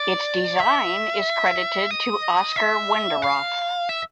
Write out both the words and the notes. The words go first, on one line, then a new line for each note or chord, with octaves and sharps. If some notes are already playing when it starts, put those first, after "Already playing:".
Its design is credited to Oscar Wenderoth.
Already playing: D5
E5
D#5
E5
F5
E5